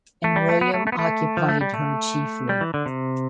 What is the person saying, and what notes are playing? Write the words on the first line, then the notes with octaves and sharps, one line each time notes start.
And William occupied her chiefly.
A3
G3
A3
B3
A3
A3
B3
A3
F3
A3
G3
A3
G3
E3
D3
C3